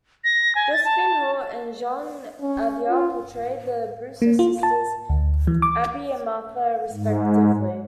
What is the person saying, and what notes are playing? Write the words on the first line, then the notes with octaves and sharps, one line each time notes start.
Josephine Hull and Jean Adair portray the Brewster sisters, Abby and Martha, respectively.
A#6
G#5
A6
A5
C#4
F4
A#3
F4
A5
D2
E3
D6
G#2